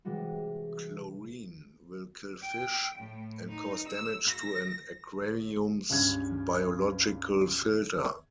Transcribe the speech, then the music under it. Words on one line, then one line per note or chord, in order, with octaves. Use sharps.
Chlorine will kill fish, and cause damage to an aquarium's biological filter.
C3 E3 G3 G#3 F#4
G5
A2
D#4
E6
A#6
C#2 G2 C#4 G#6